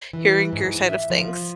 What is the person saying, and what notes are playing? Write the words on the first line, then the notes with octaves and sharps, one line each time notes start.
hearing your side of things.
E3
G#2
E5
F3